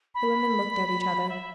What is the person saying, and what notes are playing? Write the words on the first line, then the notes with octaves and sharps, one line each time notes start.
The women looked at each other.
B5
E5